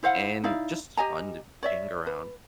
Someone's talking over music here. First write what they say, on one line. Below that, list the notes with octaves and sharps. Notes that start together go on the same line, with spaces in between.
and just fun to hang around.
E4 C5 F5 F#5
D#4 E4 D5 F5
G4 D#5 G#5 A#5
C#5 D5 E5
B4